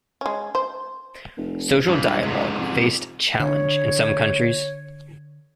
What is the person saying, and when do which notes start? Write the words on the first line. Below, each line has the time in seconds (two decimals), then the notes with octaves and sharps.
Social dialogue faced challenge in some countries.
0.21 G#3 C#4
0.55 C5
1.37 F1
1.88 C#2 G2 E3
2.24 G#2 C3
2.58 F2
3.40 D3 C#5